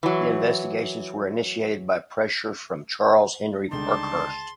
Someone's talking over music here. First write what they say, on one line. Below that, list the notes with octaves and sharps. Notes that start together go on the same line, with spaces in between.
The investigations were initiated by pressure from Charles Henry Parkhurst.
E3 F#3
C#2 D3 G3 D#4 D5 A5 C6